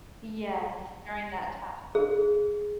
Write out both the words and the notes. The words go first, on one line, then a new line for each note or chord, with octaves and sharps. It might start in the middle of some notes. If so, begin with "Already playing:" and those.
Yes, during that tough
G#4